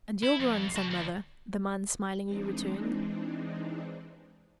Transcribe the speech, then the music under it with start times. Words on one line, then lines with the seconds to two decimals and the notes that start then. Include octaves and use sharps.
"And your grandson, mother?" the man smilingly returned.
0.23 E4
0.40 F2
0.76 F#4 A5
0.91 D2
2.24 E3 G#3 C4 D4 D#4